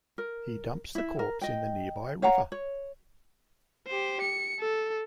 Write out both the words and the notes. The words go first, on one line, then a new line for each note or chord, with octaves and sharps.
He dumps the corpse in the nearby river.
A#4
E4 E5
A#4
D#5 G5
C#5 F5 F#5 A#5
C#5
G4 C5
C#7
A4